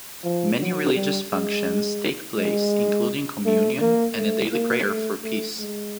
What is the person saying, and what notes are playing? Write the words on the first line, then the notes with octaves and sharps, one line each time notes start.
Many religious functions take place including communion and a daily prayer for peace.
F3
F#3
G3
G#3
G#3
A3
A#3
A3
A#3
A3
A3
G#3